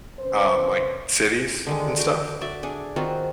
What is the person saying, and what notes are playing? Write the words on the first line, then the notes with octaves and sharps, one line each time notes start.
um, like, cities and stuff
C#3 C4 C#4 B4 C5
D3 D#3 G#3
F#4 G5 D6
F#4 D5 E5
D4 G#4
D#3 C4 F4 F#4